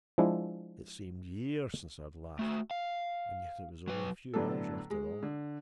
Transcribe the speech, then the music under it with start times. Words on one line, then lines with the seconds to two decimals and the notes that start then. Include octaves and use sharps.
It seemed years since I had laughed--and yet it was only a few hours, after all.
0.18 F3 G#3 D4 E4
2.39 A3 F#4
2.71 F5
3.88 F#3 B4
4.34 A2 D3 F#3 B3 D4 A4
4.90 G#3
5.23 D3